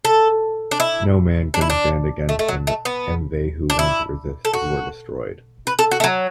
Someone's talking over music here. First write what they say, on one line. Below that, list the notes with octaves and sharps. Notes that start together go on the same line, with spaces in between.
No man can stand against him and they who once resisted, were destroyed.
A4
D4
E4
D4
E4
D4
A3
A3
F#3
A3
B3
D4
E4
A4
F#4
B4
A4
F#4
A3
F#3